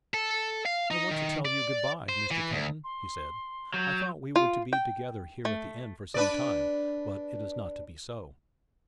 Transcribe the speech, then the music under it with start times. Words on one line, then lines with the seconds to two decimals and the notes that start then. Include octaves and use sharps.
"I want to tell you good-bye, Mr. Kenton," he said, "I thought we were to be together here at the inn for some time, but it is not to be so."
0.14 A4
0.66 F5
0.91 D#4
1.11 D#3
1.45 D5
2.09 C5
2.31 E3
2.52 D2
2.84 C6
3.74 F#3 G6
4.36 F4
4.73 G5
5.45 A3
6.14 D4 B4 D5